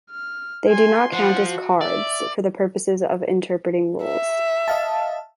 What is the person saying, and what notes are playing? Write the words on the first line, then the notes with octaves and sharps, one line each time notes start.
They do not count as "cards" for the purposes of interpreting rules.
F6
G#5 C6
F3 F4 F#5
F#4
D5 E5
E5
D#5 F5 A5